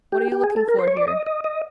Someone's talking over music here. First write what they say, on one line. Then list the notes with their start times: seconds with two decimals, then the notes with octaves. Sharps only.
What are you looking for here?
0.12 G4
0.32 G4
0.44 G#4
0.56 A4
0.69 A#4
0.79 C5
0.88 C#5
0.97 D5
1.08 D#5
1.26 D#5
1.44 D#5